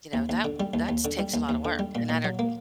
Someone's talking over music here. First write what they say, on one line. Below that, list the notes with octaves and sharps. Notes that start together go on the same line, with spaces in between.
You know, that that's takes a lotta work and energy.
D#2
D#2
D3
G3
D#2
D#2
D3
G3
D#2
D#2
D3
G3
A#2
A#2
F#3
A#3